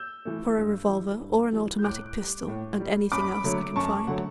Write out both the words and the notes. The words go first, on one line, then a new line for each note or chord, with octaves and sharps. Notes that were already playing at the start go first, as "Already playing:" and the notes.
"For a revolver or an automatic pistol and anything else I can find."
Already playing: E6 G6
E3 A3
G2
E3 G3
G2
E3 G3
G6
A2 D6 F#6
G3
A2
G3
F#2 B5 D6
D3 F#3 A3
F#2 A5 C#6
D3 F#3 A3 F#5